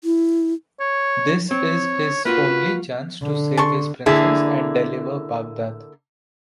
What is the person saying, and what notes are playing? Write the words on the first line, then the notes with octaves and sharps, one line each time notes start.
This is his only chance to save his princess and deliver Baghdad.
E4
C#5
C4 C#5
A#3 F4 F#4 B4
D3
A5 C6 C#6
D3 A#3 E4 G#4